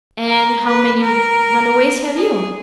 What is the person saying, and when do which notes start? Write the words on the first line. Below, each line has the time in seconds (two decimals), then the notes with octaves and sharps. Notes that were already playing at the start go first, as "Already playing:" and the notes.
"And how many runaways have you?"
0.29 A#4
0.66 B4
1.03 A#4
2.16 G#4